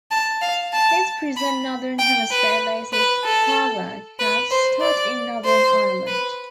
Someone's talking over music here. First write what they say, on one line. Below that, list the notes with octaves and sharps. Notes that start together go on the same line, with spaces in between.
His present Northern Hemisphere base is Scarvagh House Stud in Northern Ireland.
A5
F5
A5
B5
G5
B4
B4
A4
B4
C5
D5
C5
B4